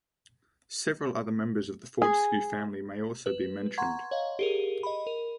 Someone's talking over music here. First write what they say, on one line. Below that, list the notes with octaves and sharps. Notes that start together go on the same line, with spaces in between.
Several other members of the Fortescue family may also be mentioned.
G#4
B4
F#5 A#5 C6 C#6 G#6
C#5 D#5 F5
G4 G#4 A#4
D#5 B5
A#4